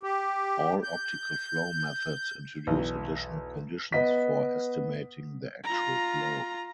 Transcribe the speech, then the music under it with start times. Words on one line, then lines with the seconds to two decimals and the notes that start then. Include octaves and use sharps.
All optical flow methods introduce additional conditions for estimating the actual flow.
0.03 G4
0.83 G6
2.67 B1 E2 E3
3.92 B3 D#5 B6
5.64 F4 A#5